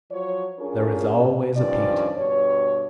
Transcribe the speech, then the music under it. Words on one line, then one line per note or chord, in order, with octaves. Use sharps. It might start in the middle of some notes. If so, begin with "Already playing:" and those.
There is always a Pete.
F3 F#3 C#5
C#4 D4 F4 G#4 A#4
G2 D#3 F3 C#4 D5
G2 B2 C#5